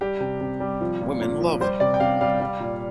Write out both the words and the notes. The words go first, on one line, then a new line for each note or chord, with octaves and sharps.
Women Love Him!
G3 G4
C3
C3
G3
F3
A#2
A#2
F3
G3 C5
C3 D5
G5
C3 F5
G3 F5
G3
A#2